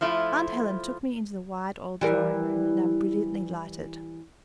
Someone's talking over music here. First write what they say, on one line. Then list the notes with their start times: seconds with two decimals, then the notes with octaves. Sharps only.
Aunt Helen took me into the wide old drawing-room, now brilliantly lighted.
0.01 F3 A3 E4 F4
2.01 E3 G3 A#4